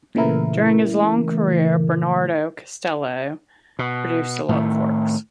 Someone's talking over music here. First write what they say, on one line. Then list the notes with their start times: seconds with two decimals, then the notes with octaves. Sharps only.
During his long career Bernardo Castello produced a lot of works.
0.15 A#2 C#3 E3 A3 E4 A#4
3.79 B2
4.49 A2 D#3 A3